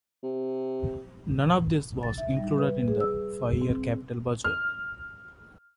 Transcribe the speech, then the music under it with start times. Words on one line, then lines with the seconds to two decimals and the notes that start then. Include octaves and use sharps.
None of this was included in the five-year capital budget.
0.23 C3
2.03 A6
2.18 E5
2.37 G3
2.58 B4
2.88 G#4
3.00 E6
3.62 C4
4.44 F6